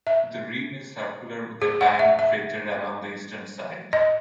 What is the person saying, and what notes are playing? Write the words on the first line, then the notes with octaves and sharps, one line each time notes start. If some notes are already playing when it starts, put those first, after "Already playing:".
The rim is circular with a tiny crater along the eastern side.
E5
G#4
F#5
E5
E5
D#5